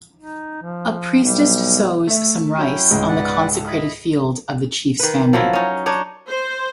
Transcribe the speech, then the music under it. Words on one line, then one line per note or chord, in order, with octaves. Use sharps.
A priestess sows some rice on the consecrated field of the chief's family.
D#4
F3
B1 G3
A3 E5
F#3 C#4 E4 G5
C#2 G#2 G#3
B4 D5 F#5
A4
E4 D#5 B5
D#3 B4
F3 F#3 E4
C#4 D#4
D4 D#4 C#5
C5